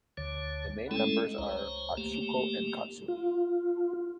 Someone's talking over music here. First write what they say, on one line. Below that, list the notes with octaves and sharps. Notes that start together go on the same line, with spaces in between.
The main members are Atsuko and Katsu.
D2 D3 C#5
G#3 A3 C#4 E4 A4
C#2 C5 C#5 A#5
A3 A#3 G4
F4